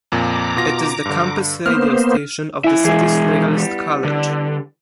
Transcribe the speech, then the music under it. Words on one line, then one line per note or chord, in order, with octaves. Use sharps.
It is the campus radio station of the city's Loyalist College.
F2 A#2 A#5 D6
B2 F4 A#6
G2 D3
A#3 B3 C5 F6
E4 E5 G#5
E3 G#3 G#4 E5 G#5
G3 B3
D3